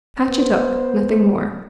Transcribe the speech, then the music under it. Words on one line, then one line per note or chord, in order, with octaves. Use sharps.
Patch it up, nothing more.
B3 C5